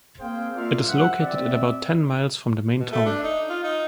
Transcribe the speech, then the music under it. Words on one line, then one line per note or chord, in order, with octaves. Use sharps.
It is located at about ten miles from the main town.
A#3 C4 G#4 C5 F5 G5
A#3 F4 A#4 D5 E5 F5
G2 F3 C5 E5 F#5
C4 D5 E5
B2
A3
D4
D#4
F4
D#4